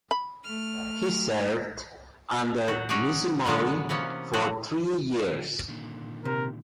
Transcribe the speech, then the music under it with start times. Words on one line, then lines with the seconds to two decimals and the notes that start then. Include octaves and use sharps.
He served under Mizumori for three years.
0.11 B5
0.44 A3 F6
2.68 F#3 F#4
2.89 F#3 C#4 D#4 F#4 G#4 D5
3.45 A2 D3 F#3 G#3 B3
3.89 C3 E3 A#3 B3 C#4
4.33 F3 F#3 F4 F#4
5.68 A#2 D3 D#3
6.25 C3 A#4